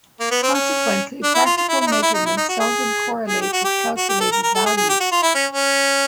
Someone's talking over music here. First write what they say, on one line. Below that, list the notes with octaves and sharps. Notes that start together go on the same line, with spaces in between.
Consequently, practical measurements seldom correlate with calculated values.
A#3
B3
C4
C#4
D4
E4
F4
F4
E4
E4
D#4
D4
E4
D#4
E4
D#4
F#4
G#4
G#4
G4
F#4
G4
F#4
G4
A4
A#4
A#4
A4
G#4
G#4
G4
F#4
F4
E4
C#4
C#4